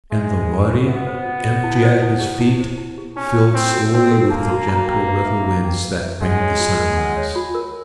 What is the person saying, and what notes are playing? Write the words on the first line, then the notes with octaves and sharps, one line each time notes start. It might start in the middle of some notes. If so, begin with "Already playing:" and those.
And the Wadi, empty at his feet, filled slowly with the gentle little winds that bring the sunrise.
G#3 E5
C5
F4
A4
B3 E5
C5
F4
A4
E4
C5
E4
G4
E4
C5
E4
G4
C#4 D#4
A4
C4 D#4
F#4
C4 D#4
A4
A#3 D#4
F#4
A#5
G5
B4
E5
A#5
G5
B4
E5
G#3 F#5
C#5
F4
A#4
F#5
C#5
F4
A#4